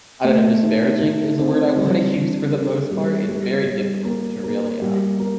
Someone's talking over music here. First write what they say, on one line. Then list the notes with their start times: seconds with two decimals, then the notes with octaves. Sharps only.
I don't know, disparaging is the word I wanna use for the most part, it's very difficult to really, um,
0.24 A3
0.63 D#3
1.00 D#3
1.39 C4
1.77 G3
2.14 D4
2.53 A4
2.91 G3
3.29 G3
3.67 G3
4.05 A#3
4.44 A#3
4.82 G3
5.20 A#3